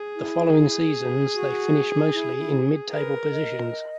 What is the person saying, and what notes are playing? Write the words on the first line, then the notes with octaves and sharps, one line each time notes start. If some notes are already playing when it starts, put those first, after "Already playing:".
The following seasons they finished mostly in mid-table positions.
Already playing: G#4
E4
E4
F#4
E4
E4
A#4 B4
D#5